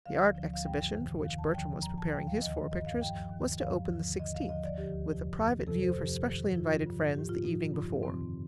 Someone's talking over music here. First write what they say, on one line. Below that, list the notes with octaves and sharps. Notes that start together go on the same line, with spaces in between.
The Art Exhibition, for which Bertram was preparing his four pictures, was to open the sixteenth, with a private view for specially invited friends the evening before.
D2 D3 F3 F5
D2 D3 F3
F5
G2 D3 F3 G5
F2 C3 D#3
D#2 D#3 F5
A5
D#2 D3 F3 G5
A2 F3 A#5
A5
D2 D3 F3 G5
F5
D#2 D#3 D#5
G2 D#3 D#5
F5
G2 F3 G5
D#2 D#3
G2 D3 F3 F5
D#2 D3 F3
D#2 D3 F3 D#5
F5
D#2 D3 F3 D#5
D5
D2 D3 F3 G4
F2 C3 F3
F2 D#3
F2 C3 F3 A4
C5
F2 C3 F3 G4
G2 D#3
F2 C3 F3 F4
G2 D3 F3
A2 F3 G4
F4
A2 F3 D#4
G2 D3 F3
F2 C3 D#3 C4